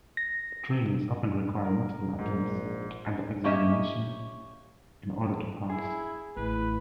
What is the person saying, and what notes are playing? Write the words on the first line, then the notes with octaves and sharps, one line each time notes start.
Trainees often require multiple attempts at the examination in order to pass.
A#6
A#4
A#1 G#2
A#3 C#4 G4 D#5 E5
E4 G#4
A1 A3 E4 B4